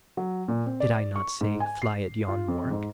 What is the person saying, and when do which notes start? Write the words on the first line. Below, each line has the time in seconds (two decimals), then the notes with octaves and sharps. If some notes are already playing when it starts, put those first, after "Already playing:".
Did I not say: 'Fly at yon mark'?
0.17 F#3
0.48 A#2
0.66 C4
0.80 D5
1.16 C#6
1.41 G#2
1.60 G#5
1.82 C7
2.28 F4
2.48 F2
2.71 G#2